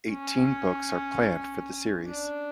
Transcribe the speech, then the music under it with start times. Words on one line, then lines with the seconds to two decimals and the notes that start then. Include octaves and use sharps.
Eighteen books are planned for the series.
0.11 C#4
2.06 D4